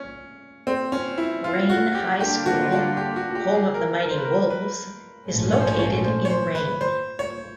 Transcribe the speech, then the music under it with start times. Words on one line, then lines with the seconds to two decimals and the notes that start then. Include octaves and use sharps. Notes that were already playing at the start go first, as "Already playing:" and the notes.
Rayne High School, home of the Mighty Wolves, is located in Rayne.
Already playing: C#4
0.67 C4
0.92 C#4
1.18 E4
1.44 F4
1.69 F#4
1.95 G4
2.20 D3 G3 A#3 D4 F4 G4
2.46 F#4
2.72 F#4
2.97 G4
3.16 F#4
3.30 F#4
3.35 G4
3.55 G#4
3.74 A#4
3.99 A#4
4.10 C5
4.17 B4
4.25 A#4
4.50 B4
5.27 A#1 G#2 F3 A3 C#4
5.52 C#5
5.60 C5
5.67 C#5
5.79 C#5
6.04 C5
6.25 C#5
6.30 C5
6.55 B4
6.81 C5
7.19 C#5